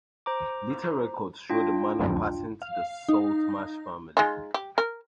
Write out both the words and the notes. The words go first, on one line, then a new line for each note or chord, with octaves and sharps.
Later records show the manor passing to the "Saltmarsh" family.
C5 A#5 D6
D4 F4 G5
F5
D#4
G#3 D#4 F4
G4
A#4